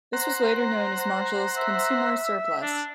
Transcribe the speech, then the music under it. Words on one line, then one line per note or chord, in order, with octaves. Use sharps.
This was later known as Marshall's "consumer surplus".
C5 F#5 A#5
E5
D4